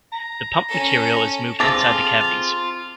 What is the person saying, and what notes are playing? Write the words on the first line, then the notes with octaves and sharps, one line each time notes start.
The pumped material is moved inside the cavities.
A#5
C#4 A4
C4 F4 G#4 A4 D6 A6 A#6